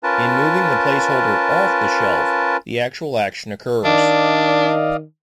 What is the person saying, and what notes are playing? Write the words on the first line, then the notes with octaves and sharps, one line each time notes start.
In moving the placeholder "off" the shelf, the actual action occurs.
C#4 F4 A#4 B4 A5
D#3 D4 D5 D#5 F5